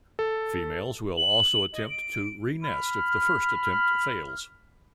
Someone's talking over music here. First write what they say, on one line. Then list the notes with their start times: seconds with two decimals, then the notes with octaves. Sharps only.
Females will also attempt to renest if the first attempt fails.
0.19 A4
1.17 F#7
1.73 D#5
1.90 D7
2.64 B5 F6